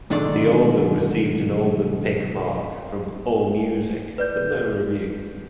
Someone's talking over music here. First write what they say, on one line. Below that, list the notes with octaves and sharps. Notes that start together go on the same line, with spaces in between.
The album received an Album Pick mark from Allmusic but no review.
B1 G#2 D3 D#3 D5
B4 D5 G6